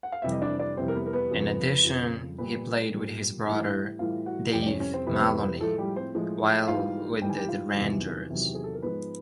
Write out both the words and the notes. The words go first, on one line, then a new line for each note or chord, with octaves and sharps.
In addition, he played with his brother Dave Maloney while with the Rangers.
F#5
F5
F2 C3 E3 G3 E5
D#5
D4 D5
D4 D5
F2 C3 E3 G3 C4 C5
A#4
B3 B4
A#4
B3 B4
F2 C#3 F3
F2 C#3 F3
A#2 G3 B3 B4
A#2 G3
A2 E3 G3
A2 E3 G3 F4 F5
F#4 F#5
F2 C3 E3 G3 G4 G5
D5
C#4 C#5
C#4 C#5
C4 C5
F2 C3 E3 G3 B4
C5
B3 B4
A2 F3 G#3 A3 A4
G3 G4
C4 C5
A2 F3 G#3
E5
G#2 E3 G3 F4 F5
G#2 E3 G3 G5
G#5
G4 G5
F4 F5
E2 C3 D#3 F#3
E2 C3 D#3 F#3
G4
G#4
A4
A#4
G#2 F3 G#3 B3 B4